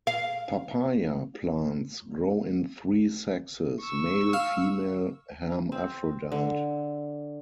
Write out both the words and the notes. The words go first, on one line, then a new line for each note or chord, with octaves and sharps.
Papaya plants grow in three sexes: male, female, hermaphrodite.
F5
C#6 E6
F5
C4
D3